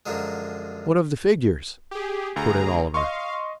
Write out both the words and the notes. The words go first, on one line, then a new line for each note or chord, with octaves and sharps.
"What of the figures?" put in Oliver.
F#2 D3 F3 F#3 G#3
G4 G#4
D2 G#4 A#5
D#5 F5 C6 C#6